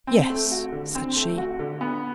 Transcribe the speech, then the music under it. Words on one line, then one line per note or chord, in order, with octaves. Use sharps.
"Yes," said she.
C4
A3
F#4
D3
C4
A3
F#4
D3
B3